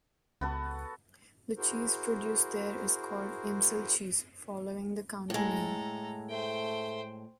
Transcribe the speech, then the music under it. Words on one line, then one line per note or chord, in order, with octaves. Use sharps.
The cheese produced there is called Imsil cheese, following the county name.
C#2 B3 F#4 A4
E4 F#4 G#4 A#4 C5
A2 G#3 A4 A#5
A3 C5 G5